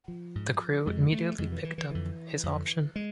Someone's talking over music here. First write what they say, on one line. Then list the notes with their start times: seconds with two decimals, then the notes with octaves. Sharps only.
The Crew immediately picked up his option.
0.08 F3
0.35 G#2
0.86 F2 C3 G#3
1.12 A3
1.38 F2 C3 G#3
1.52 E3
1.64 E3
1.78 E3
1.90 F2 D3 E3
2.43 F2 D3
2.96 G#3